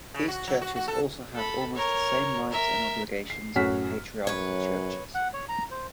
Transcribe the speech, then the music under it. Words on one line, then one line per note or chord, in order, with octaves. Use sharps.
These churches also have almost the same rights and obligations of Patriarchal Churches.
C#3
F#4
F#3
F#4
F#4
A4
A4 B5
A#4 C#5
A#4 E5
C7
F#2 A2 C#4 F#4 F6 B6
F#2 B4 C#5
F#5
C#5
A#5
C5